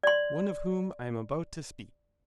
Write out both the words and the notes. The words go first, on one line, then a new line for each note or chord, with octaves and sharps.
One of whom I am about to speak.
D5 C6